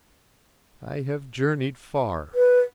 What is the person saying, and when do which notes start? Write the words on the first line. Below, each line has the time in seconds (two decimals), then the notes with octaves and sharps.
I have journeyed far.
2.35 B4